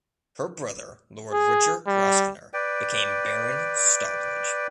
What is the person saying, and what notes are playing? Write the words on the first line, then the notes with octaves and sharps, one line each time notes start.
Her brother Lord Richard Grosvenor became Baron Stalbridge.
G#4
G3
B4 D5 G5